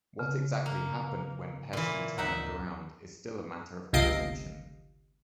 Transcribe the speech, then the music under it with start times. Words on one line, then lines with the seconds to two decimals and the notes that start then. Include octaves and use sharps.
What exactly happened when Pesky turned around is still a matter of contention.
0.19 C#3
0.66 A#3
1.73 A#2 E3
2.18 D2 D#4 E5 F#5 A#5 F#6
3.93 G1 C#2 C3 D#5 F5 D7